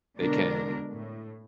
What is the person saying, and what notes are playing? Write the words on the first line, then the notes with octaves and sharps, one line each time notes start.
they can
B2 D3 G#3 D4 A#4
A2